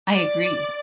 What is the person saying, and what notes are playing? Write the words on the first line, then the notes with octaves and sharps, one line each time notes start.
I agree,
D5